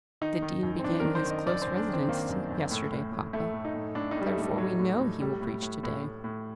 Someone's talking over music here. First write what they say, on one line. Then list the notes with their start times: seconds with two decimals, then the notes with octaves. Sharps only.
"The dean began his close residence yesterday, papa. Therefore we know he will preach to-day."
0.21 D#3 D#4
0.42 D#3
0.63 F#2
0.79 C4
0.84 F#2 D4
1.00 A#4
1.05 D#3
1.15 C5
1.26 D#3 D#5
1.47 F#2 D5
1.62 F#2 C5
1.77 D4
1.88 D#3 C4
2.08 D#3 A#3
2.29 F#2
2.51 F#2
2.71 A2
2.92 A2
3.12 A2
3.33 A2 A3
3.54 A2
3.65 D#4
3.75 A2
3.95 A2 D4
4.11 A2 D#4
4.21 G3
4.27 A3
4.38 A2 G3
4.58 A2 F#3
4.79 A2
5.00 A2
5.20 A2 G3
5.41 A2
5.62 A2
5.83 A2
6.03 A2
6.24 A2